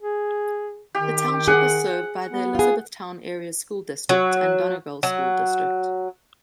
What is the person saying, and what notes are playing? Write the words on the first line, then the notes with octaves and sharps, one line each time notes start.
The township is served by the Elizabethtown Area School District and Donegal School District.
G#4
D#3 G4
G#4 F#5
B3
F4 G#4
F#3
F#3